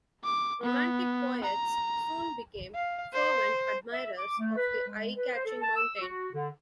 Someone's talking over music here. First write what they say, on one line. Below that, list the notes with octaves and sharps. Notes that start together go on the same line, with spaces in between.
Romantic poets soon became fervent admirers of the eye-catching mountain.
D6
B3
A#5
F5
C5
E5
D6
A3
B4
G#3
B4
C5
A4
A5
E6
F#4
D3